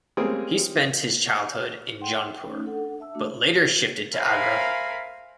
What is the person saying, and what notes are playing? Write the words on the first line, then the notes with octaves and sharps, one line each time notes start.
He spent his childhood in Jaunpur but later shifted to Agra.
G3 G#3 A#3 C4 C#4 G#4
F#5 G5 C6
G5
A3 C#4 D#4
D4 A4 F#5
E5 A5 E6
A3 D4 F#4
A#4 C5 E5 F5 G#5 B5